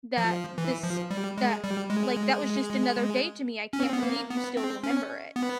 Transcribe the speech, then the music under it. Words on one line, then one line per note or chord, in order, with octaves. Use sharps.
that this that, like, that was just another day to me. I can't believe you still remember it,"
F3
E3
F3
G3
G#3
G3
G#3
C#4
C4
B3
A#3
B3
C4
C#4
B3